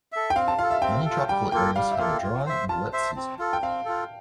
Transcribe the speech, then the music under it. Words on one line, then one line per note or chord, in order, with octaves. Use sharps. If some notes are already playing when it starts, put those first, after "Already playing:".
Many tropical areas have a dry and wet season.
A4 E5
G5
C4 F5
A5
F4 A4 F5
E5
C4 G5
F4 A4
G3 G5
A#3 F4 A4 G5
G3 F5
E5
A#3 F4 A4 F5
F4
C5 E5
F4 A5
C5 E5
C4
F4 A4
G5
C4 F5
F4 A4